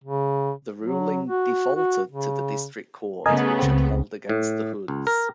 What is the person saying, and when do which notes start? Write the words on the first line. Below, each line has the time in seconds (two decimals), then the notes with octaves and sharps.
The ruling defaulted to the District Court, which had held against the Hoods.
0.04 C#3
0.81 F#3
1.27 F#4
1.76 F#4
2.12 C#3
3.26 C#3 A3 B3 A#4 D#5 G#5
3.59 C#2 C4
4.29 A2
4.88 C#2
5.07 A#4